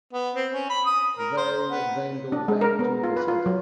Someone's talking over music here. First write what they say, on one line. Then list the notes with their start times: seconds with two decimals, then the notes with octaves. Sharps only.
They then go back to Lesotho.
0.13 B3
0.36 C4
0.54 C#4
0.70 B5
0.86 D#6
1.16 A#4
1.37 C5
1.69 B3
2.32 D4
2.48 G#3
2.61 A#4
2.79 B3
3.03 F4
3.16 B4
3.28 F4
3.46 F#3